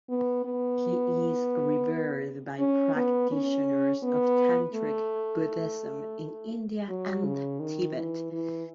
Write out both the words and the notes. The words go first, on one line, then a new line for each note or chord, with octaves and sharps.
He is revered by practitioners of tantric Buddhism in India and Tibet.
B3
B3
C#4
B3
C#4
B3
A3
F#3
C#3
D#3
E3
E3